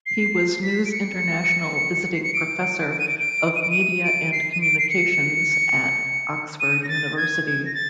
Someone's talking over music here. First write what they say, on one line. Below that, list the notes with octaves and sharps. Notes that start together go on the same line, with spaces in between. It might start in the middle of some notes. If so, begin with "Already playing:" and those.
He was News International Visiting Professor of Media and Communications at Oxford University.
C7
B6
D7
C#7
C7
C#7
D7
D7
D#7
D7
D7
D#7
D7
D#7
D7
C7
D#7
D7
C7
C#7
D#7
A#6
A6
G#6
G#6
A#6
A6